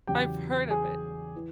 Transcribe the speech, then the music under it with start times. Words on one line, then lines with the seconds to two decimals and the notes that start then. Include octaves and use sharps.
I've heard of it.
0.07 E2 C#3 F#3 G4 G5
0.70 G#4 G#5
1.36 E3